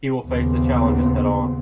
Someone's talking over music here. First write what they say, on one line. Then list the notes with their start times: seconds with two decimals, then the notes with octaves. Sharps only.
We will face the challenges head-on.
0.25 D#2 A#2 C#3 B3 C4